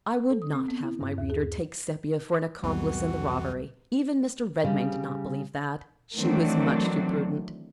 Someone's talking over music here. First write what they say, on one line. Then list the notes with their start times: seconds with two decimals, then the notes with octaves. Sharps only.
I would not have my reader take Sepia for an accomplice in the robbery. Even Mr. Redmain did not believe that: she was much too prudent!
0.14 F#6
0.30 A4
0.42 D#6
0.53 C4
0.68 B3
0.83 E4
1.01 G2
1.18 D#2
1.30 G#4
2.63 C2 F2 A2 E3 F#3 G3 B3 F#4
4.64 C#3 G3
6.15 D#3 E3 F#3 A3 C4 D4